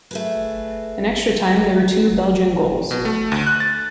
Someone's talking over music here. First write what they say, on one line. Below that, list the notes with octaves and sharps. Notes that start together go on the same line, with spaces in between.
In extra time, there were two Belgian goals.
A3 G#4 B4
B2
A3
D2
F#6
A6